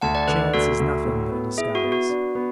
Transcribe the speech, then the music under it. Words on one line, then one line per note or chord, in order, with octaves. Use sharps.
Chance is nothing but a disguise.
D2 F#5 A5
D5 F#5
D3 B4 D5
D2 F#4 A4
D2
A2
B3
E4 G#4
F#4
B3
F#4
D4
B3